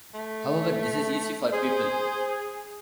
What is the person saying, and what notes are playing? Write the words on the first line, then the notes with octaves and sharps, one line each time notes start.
However, this is easy for people.
A3
G#4 C5